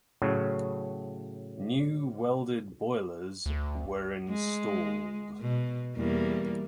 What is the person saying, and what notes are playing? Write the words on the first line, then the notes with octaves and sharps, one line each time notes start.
New welded boilers were installed.
A2 C#3 F#3
D2
G#3
B2
E2 G3 A#3